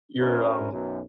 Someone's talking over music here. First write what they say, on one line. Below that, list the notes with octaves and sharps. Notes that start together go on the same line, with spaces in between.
you're, um,
C#4 D4 E4 F#4 A#4 C5
B1 F#2